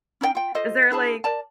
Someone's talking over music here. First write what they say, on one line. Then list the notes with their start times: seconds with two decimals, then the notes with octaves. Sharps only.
is there, like,
0.21 C#4 D#4 A#4 G5
0.35 F4 G5
0.55 F4 A4 C5 D#5
0.91 D4 E4 G#4 A5
1.24 A#4 D5 A5